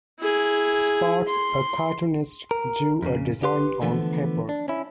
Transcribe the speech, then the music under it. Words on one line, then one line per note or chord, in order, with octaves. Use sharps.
Sparks, a cartoonist, drew a design on paper.
E4 G#4
C6
A#4
F2 C#3
G4 B4 C6
D3 E3 F3 A3 B3
D4
C#4 E4